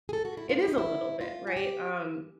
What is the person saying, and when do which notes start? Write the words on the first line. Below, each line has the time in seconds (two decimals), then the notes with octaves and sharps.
it is a little bit, right? Um,
0.09 G#4
0.13 A4
0.25 F#4
0.37 E4
0.49 F4
0.59 E4
0.68 D#4
0.78 E4
1.21 F4
1.47 G#4
1.57 G4